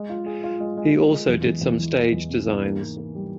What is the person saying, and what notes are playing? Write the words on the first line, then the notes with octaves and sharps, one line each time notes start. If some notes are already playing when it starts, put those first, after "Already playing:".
He also did some stage designs.
Already playing: G#3
F4
G#4
F4
G#3
G#3
G#3
G#3
E2
E2
E2
E3
E3
E2
C3
E3
A#3
G#2
A#3
G3